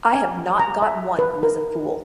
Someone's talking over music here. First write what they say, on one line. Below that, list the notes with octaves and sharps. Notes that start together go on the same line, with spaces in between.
I have not got one who is a fool.
G#5
A#5
E5
B4
A#4